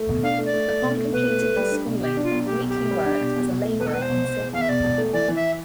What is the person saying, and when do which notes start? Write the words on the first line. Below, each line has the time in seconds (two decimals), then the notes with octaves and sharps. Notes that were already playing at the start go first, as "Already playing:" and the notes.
Upon completing his schooling, Wheatley worked as a labourer in Sydney.
Already playing: A3
0.09 B2
0.23 D4 F5
0.38 A3
0.45 D5
0.53 A3
0.68 A3
0.82 B2
0.97 A3
1.12 B2 B4
1.27 A3
1.42 A3
1.56 G3
1.72 D4
1.86 B2
2.01 B2 G4
2.17 D4
2.23 F4
2.31 B1
2.46 B1 G4
2.60 B1
2.68 G4
2.76 B2
2.91 G3
3.06 D4
3.20 B2
3.36 E2
3.51 B2
3.65 A3
3.80 E1 B4
3.87 A4
3.94 E1 B4
4.02 C5
4.10 B2
4.24 B2
4.39 E2
4.53 E2 F5
4.61 E5
4.69 B2 D5
4.83 E1
4.98 A3
5.13 E3 D5
5.28 E3
5.36 E5